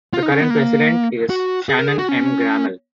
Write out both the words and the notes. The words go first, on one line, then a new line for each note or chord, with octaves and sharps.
The current president is Shannon M. Grammel.
F4
D#4
C#4
B3
A#3
F#4
G#4
A#4
G#4
F#4
C#4